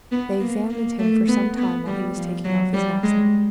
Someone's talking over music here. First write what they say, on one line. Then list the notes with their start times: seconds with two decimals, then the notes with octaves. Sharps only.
They examined him for some time while he was taking off his knapsack.
0.12 B3
0.41 A#3
0.70 A#3
0.99 A3
1.28 B3
1.58 B3
1.86 G3
2.16 F3
2.45 F#3
2.74 G3
3.03 G#3